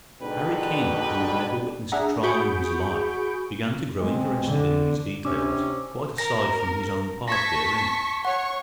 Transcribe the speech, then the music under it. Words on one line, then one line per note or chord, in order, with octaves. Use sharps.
Harry King, who had never witnessed a trial in his life, began to grow interested in these details quite aside from his own part therein.
G#2 B2 D3 D4 B4 G5
D4 G#4 E5 F#5 A#5
F#4 G#4 B5 C#6 G6 D7
G#3 C4
D3
C3 C#4 D4 D6 E6
A#4 A#6
A5 C#6 G#6 A#6 B6
C#5 F#5 C#6